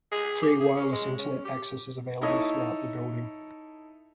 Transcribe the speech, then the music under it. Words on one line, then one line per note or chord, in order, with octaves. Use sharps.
Free wireless Internet access is available throughout the building.
G#4
G4
G#4
C#4
G#3
C#4
G4
D#4 E4 A4 C#5 D#5 E5